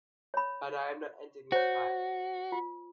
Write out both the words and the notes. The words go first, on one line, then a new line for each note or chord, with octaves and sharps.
But I am not ending this fight.
C#5 B5
F#4 C5 C#5
F4